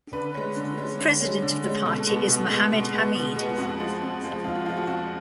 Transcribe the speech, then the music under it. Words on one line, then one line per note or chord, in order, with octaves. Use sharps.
The president of the party is Mohammed Hamid.
D3 B4
G#3 C#4
D3
G#3 C#4
D3
G#3 C#4
D3
G#3 C#4
B2 A4
G#3 B3
B2
G#3 B3
B2
G#3 B3
B2
G#3 B3
F2 F#4
F3 G#3
F2
F3 G#3
F2 F4
F#4
F3 G#3 F4
F#4
F2 F#4